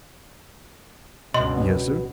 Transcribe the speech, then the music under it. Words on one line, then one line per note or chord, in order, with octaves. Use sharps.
"Yes, sir."
C#2 G2 B2 D#5 C6